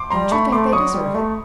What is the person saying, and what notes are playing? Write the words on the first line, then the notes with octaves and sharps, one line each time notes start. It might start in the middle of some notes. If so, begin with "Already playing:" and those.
Don't you think they deserve it?
Already playing: C6 D6
G3 A#5 C6
A3 B5 C#6
A3 C6 D6
F#3 C#6 D#6
G3
A3